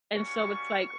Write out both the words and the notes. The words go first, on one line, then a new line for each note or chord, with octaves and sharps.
and so it's like,
G3 A#3 C#4 F#4 C#6